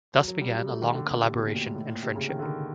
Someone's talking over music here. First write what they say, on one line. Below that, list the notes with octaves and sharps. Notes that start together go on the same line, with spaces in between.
Thus began a long collaboration and friendship.
F#3
F#3
G3
G3
A3
D#3
D3
A#2
C3
B2
A#2
A2
G#2
A2
A#2
C3
C#3
D#3
D3
D#3